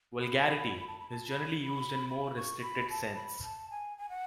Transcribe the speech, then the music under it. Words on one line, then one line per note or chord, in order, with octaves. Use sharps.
"Vulgarity" is generally used in the more restricted sense.
B5
B5
A5
B5
A5
B5
B5
C#6
B5
A5
B5
A5
G#5
G#5
F#5